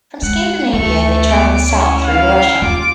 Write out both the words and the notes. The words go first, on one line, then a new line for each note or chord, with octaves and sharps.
From Scandinavia they travelled south through Russia.
G#3 F#5
D2 A3 C#6
B3 D6
C#4 E4 C#5
F5
D#2 F4 D6